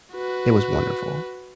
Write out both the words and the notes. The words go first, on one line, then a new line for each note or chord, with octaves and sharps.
it was wonderful.
F#4 B4